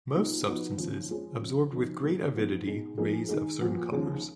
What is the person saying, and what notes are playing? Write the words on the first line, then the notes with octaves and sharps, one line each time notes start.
Most substances absorbed with great avidity rays of certain colors.
A#2 F#3 B3 D#4
F3 B3 D#4 F#4 B4
D#2 C#3 F3
F2 F3 G#3 C#4
F2 C#3 F3
F2 C#3 F3 B3 D#4
G#2 D#3 G#3 B3
A#2 F3 B3 D#4
B2 G#3 D#4
F2 F3 A#3 D#4 G#4
D#3 G#3 D#4 G#4
A#2 F3 B3 F#4
D#2 C#3 F3 G#3